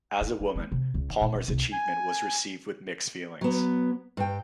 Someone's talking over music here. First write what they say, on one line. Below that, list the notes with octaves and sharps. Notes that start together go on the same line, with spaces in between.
As a woman, Palmer's achievement was received with mixed feelings.
D#4
A#3
G#3
C3
C#2
D#3
A#2
D#1
C2
G#5
F#3 B3
G2 G5